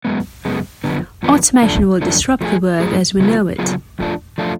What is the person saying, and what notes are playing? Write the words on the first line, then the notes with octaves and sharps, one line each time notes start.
Automation will disrupt the work as we know it.
F#2 C#3 G#3 B3
F#2 C#3 G#3 B3
F#2 D3 F3 B3
F#2 D3 F3 B3
F#2 D3 F3 A3 D4
F#2 D3 F3 A3 D4
F3 A3 F4 G#4
F3 A3 F4 G#4
C#3 F#3 B3 F4 G#4
C#3 F#3 B3 F4 G#4
F2 F3 A3 D4 F4
F3 A3 D4 F4